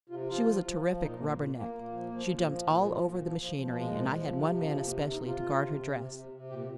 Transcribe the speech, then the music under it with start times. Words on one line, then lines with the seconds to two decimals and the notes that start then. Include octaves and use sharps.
She was a terrific 'rubberneck.' She jumped all over the machinery, and I had one man especially to guard her dress.
0.09 C3 F4
0.28 F3 F4
0.46 F3
0.65 F3
0.83 F3
1.01 A#2 D#4
1.19 A#2 A#3
1.38 A#2
1.56 A#2 A#3
1.74 A#2
1.93 F3
2.11 F3
2.29 A#2
2.47 F3
2.66 A#2
2.84 F3
3.02 A#2
3.20 F3
3.39 F3
3.57 F3
3.75 A#2 G#3
3.93 F3
4.12 F3
4.30 C3
4.48 F3
4.67 C3
4.85 C3 A#3
4.99 C#4
5.03 C3
5.12 D#4
5.22 C3 F4
5.40 C3
5.59 C3
5.77 C3
5.95 C3
6.13 C3
6.32 C3
6.49 A#2 G4